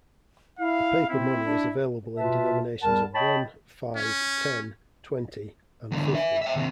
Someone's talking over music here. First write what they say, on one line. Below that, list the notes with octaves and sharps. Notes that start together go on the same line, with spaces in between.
The paper money is available in denominations of one, five, ten, twenty, and fifty.
E4 F5
C4 E4
D4
B2 F4 B4 E5 A5
E2 G3 A#4 F#5 A5
C#5 D#5 G5 A5 B5
C#4
E2 D3
B4 E5
E5 G5
D#2 C3